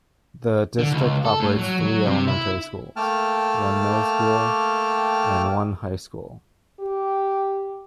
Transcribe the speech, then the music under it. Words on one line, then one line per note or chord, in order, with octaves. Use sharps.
The district operates three elementary schools, one middle school, and one high school.
D3
C#2
A4
A2
F#3
F#3
C3
E4
A3 A#3 G5 A5 F6
G4